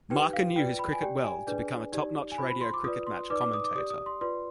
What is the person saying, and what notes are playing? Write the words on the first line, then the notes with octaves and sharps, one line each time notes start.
Marker knew his cricket well to become a top-notch radio cricket match commentator.
D#4 G4 B4 G5
F5
F4 B4 D5 G5
B5
G#5
G4 D5 G5
G#5
D4 G#4 B4 D5
D#4 G4 D5
G#5
F4 C5 B5
B5
C6
D6
F4 B4 D5 D#6
C6
D#4 B4 D5 D6
D6
D#6
D6
G4 D5 D#6
D#6
C6
F4 B4 D5 C6